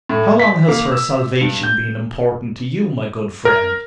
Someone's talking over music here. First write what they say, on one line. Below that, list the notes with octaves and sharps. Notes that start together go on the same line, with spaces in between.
'How long has her salvation been important to you, my good friend?'
A2
B6
A#3
E6
G2
G6
A#4